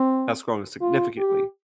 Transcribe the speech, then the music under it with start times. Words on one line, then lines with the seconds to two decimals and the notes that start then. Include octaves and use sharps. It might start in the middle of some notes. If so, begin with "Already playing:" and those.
has grown significantly.
Already playing: C4
0.81 F4
1.18 G4